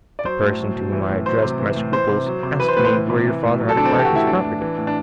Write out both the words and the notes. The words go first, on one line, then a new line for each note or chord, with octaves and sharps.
The person to whom I addressed my scruples asked me where your father had acquired his property?
D5
F#3 C5
A2
F#3
B2
E3
A2
F#3 C5
C3
E3
A2
E3 C5
C3
F#3
C3
E3 B4
C5
A2 B4
C5
E3
C3
E3
A2
F#3
A4
C3 D4
C4
E3 A4
G4
F#4
A2
E4
E3 D4
A2
E3
A2
D4